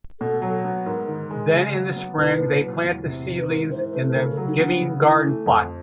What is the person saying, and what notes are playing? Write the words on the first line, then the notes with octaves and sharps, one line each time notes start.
Then in the Spring, they plant the seedlings in the Giving Garden plots.
B2 A4
F#3
B3
G#2 A#4
D#3
G#3
C#3
F#3
B3
C2 B4
A#2
F#3
E2
C3
D#3
B4
G#2 A#4
E3 C5
A3 B4
C#3 A#4
A4
F#3
D#4
B3 D4
C#3
E3
A3
F2